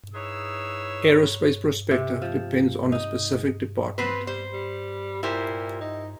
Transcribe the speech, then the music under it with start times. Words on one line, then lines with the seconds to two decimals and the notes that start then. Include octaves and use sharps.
Aerospace prospective depends on a specific department.
0.14 D#4 E4 G#4 B4 C#5 E6
1.91 C3
2.22 F3
2.92 D#4
3.98 B3 C4 B4 C5
4.27 G3 C5
4.53 G3
5.23 A#2 E4 G4 C5
5.81 D#4